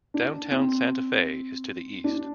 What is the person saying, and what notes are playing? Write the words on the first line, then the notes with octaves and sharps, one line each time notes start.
Downtown Santa Fe is to the east.
D4
C4
D4